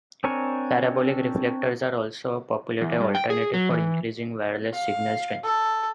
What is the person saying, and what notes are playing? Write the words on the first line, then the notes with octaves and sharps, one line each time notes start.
Parabolic reflectors are also a popular alternative for increasing wireless signal strength.
C4 D4 A#4 C#5 G#5
E2
G2
G5
G#4
F#3
E3
F5
A4